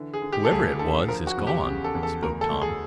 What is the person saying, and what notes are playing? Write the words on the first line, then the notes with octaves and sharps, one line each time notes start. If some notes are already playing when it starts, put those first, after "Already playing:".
"Whoever it was, is gone," spoke Tom.
Already playing: D3 E3
G#4
D3
G4
A4
D2 G#4
D3 A4
F3 A#4
F#4
E2
G4
C#3
A4
E2
A4
D2 A#4
A4
D2
G#4